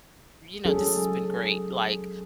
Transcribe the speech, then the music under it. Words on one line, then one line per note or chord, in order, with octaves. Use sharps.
you know, this has been great, like,
F#3 C#4 G#4 A4